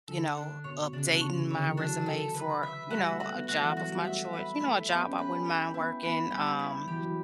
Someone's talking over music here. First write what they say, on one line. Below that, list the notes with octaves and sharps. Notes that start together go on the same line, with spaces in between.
you know, updating my resume for, you know, a job of my choice, you know, a job I wouldn't mind working. Um,
D3 A4
D4
B2 C#5
B2
C#3 D4
B2
C#3 C#5
C#3
D3 C#5
E3
F#3 D4
A4
B4
E5
G3 F#4
A3
F#4
B3
A3 F#4
E3
F#3 F#4
G3
A3 E5
B4
A3 E4
B3 G4
C#4
C#4 B4
G4
B3 E4
B3 B4
G3 G4
E4
E3 G4
F#3
E3